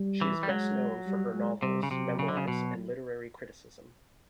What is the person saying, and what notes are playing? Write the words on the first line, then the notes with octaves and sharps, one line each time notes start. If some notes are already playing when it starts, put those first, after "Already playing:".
She is best known for her novels, memoirs and literary criticism.
Already playing: G3
E3
G3
F#3 G#3
G3
G#3
C3 G3
C#3
C3 F#3
C#3
D3
C#3
B2